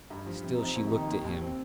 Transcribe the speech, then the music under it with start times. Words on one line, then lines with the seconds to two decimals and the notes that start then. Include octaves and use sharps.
Still she looked at him.
0.10 G2
0.26 F3
0.43 C3
0.54 D#4
0.59 F3 C4
0.76 D#2 C4
0.87 D#4
0.92 D#3
0.98 D#4
1.08 D#2
1.24 D#2
1.41 C4